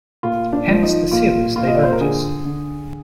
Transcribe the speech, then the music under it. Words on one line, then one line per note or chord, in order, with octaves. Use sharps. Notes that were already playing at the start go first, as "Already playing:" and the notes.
Hence the series diverges.
A#2 F4
D4
F3
D#4
A#2 F4
A#2 F4
D#5
D5
C5
A#4
D3 G#4
D3